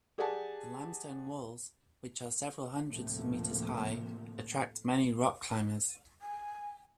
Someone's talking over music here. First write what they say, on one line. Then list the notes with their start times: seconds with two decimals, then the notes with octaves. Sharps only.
The limestone walls, which are several hundreds of metres high, attract many rock climbers.
0.18 G4 G#4 D5 F#5 G#5 A5
2.87 D2 A2 C3 F3 A3 A#3
6.21 G#5